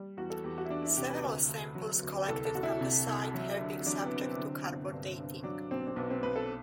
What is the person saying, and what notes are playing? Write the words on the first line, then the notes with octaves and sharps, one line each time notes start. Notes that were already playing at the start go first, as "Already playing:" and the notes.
Several samples collected from the site have been subject to carbon dating.
Already playing: G3
E2 F#4
A4
E2 G4
F#4
E4
E2 D4
E4
C3 G4
B4
D2
D2
F#3
D2
C2 A4
A4
C2 F#4
E4
C3
C2
F#3
D3
F#3 D4
B3
D3
C4
D3
G1
G2
G2
F#3 D4
B1 C4
C4
B1 B3
C4
B1 B4
A4